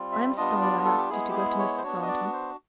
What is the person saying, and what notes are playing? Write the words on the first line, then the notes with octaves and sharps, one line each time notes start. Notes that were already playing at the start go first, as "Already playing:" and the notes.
'I am sorry I asked you to go to Mr. Thornton's.
Already playing: G3 C4 F4
E5
G3 B3 D4 F4 D#5
D5
A4
G4
G#3 B3 E4 G#4
G4
G#4
C#5
C5
B3 D4 F#4 C#5
D#5
D5
C5